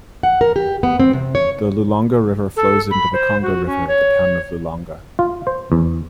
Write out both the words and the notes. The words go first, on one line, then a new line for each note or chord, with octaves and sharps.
The Lulonga river flows into the Congo River at the town Lulonga.
F#5
A#4
G4
B3
C4
C3
C#5
A4
B5
C5
F#4
C#4
C#5
F4
C5
E2